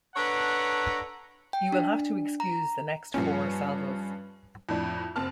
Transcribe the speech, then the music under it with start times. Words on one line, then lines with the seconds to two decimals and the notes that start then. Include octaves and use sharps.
You will have to excuse the next four salvos.
0.16 D4 A4 B4 C#5 F#5 A#5
1.53 G5
1.72 D4
2.40 A#5
3.14 G2 F3 C#4
4.69 F2 A2 D4
5.16 F#1 C4 A5 F6